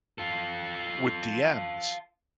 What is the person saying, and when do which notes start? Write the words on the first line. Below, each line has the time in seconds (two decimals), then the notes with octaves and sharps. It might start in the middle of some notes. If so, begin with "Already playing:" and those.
with DMs,
0.18 F4 A4